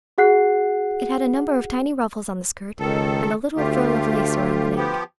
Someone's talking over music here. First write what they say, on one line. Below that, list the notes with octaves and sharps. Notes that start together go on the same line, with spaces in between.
It had a number of tiny ruffles on the skirt, and a little frill of lace around the neck.
F#4 G#4 F#5 F#6 C7
C#2 D#3 A4
D2 A3 F4 G4
F3 B3 G4